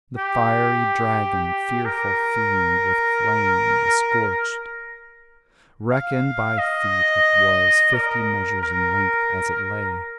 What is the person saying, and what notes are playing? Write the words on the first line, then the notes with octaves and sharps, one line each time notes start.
The fiery dragon, fearful fiend, with flame was scorched. Reckoned by feet, it was fifty measures in length as it lay.
G4
A#4
F5
D#5
A#4
A#4